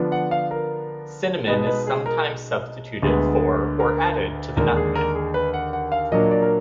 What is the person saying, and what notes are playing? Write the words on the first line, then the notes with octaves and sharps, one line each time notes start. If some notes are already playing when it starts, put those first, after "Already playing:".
Cinnamon is sometimes substituted for or added to the nutmeg.
Already playing: D3 F3 B3 D4
F#5
F5
A#4
B2 G#3 D#4 B4
B4
G#4
A#4
D2 D3 G#3 B3 G#4
A#4
D#2 D3 G#3 D4 A#4
G#4
A#4
G#4
B4
F#5
F#5
F5
A#2 F#3 A#3 D4 D#5
D5
A#4